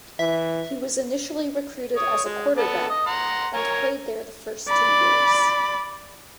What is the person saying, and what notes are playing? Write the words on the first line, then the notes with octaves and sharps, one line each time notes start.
He was initially recruited as a quarterback and played there the first two years.
E3 E5
C#5 D#6
G#3
B3 A4
D#5
F#5 A#5 C6
A#4 C#5 G#5
D5 B5